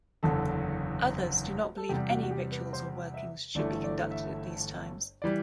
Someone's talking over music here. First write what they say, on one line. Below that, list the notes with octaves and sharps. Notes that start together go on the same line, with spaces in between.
Others do not believe any rituals or workings should be conducted at these times.
F#1 E2 D3 A4
A4
E2 C3 G3 G4
F#4
F#4
G4
B4
C5
E5
G1 G2 E3 A3 D5
D5
E5
E3 G3 D5